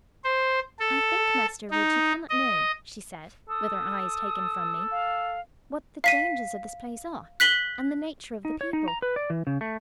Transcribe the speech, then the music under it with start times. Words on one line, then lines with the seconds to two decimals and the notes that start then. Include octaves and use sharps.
'I think, Master Ridd, you cannot know,' she said, with her eyes taken from me, 'what the dangers of this place are, and the nature of the people.'
0.24 C5
0.79 A4
1.71 D#4
2.30 D#5
3.49 A4 D#6
4.91 F5
6.04 F5 B6 D#7
7.40 F#6 B6 F#7 G7
8.45 D#4
8.61 C#5
8.73 D#4
8.88 A#5
9.02 B4
9.16 D5
9.30 E3
9.47 C#3
9.61 A3